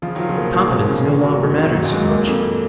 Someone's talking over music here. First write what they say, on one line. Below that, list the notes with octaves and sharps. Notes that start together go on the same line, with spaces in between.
Competence no longer mattered so much.
C#3 F3 F4
D#3 F#3
F4
C#3 F3
B2 D#3 A#3
A#2 C#3 F4
D#3
C#3 A#3
G#2 B2
C#3
G#2 D#3
F#2 F#4
G#2 F#4
G#2
F#2 A#2 D#3
F#4
F#2 A#2
G#3
A#3
F2